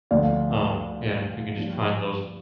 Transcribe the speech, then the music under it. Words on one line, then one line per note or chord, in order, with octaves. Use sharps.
um, yeah, and if we can just find those,
D2 D3 F3 D5 F5
G2 F3